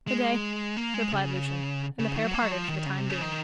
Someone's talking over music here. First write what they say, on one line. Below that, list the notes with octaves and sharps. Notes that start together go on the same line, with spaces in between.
"Good-day," replied Lucian, and the pair parted for the time being.
G#3
A#3
G#3
C#3
C#3
D#3
F#3
A#3
F#3
F3
D#3
C#3
C3
C#3
D#3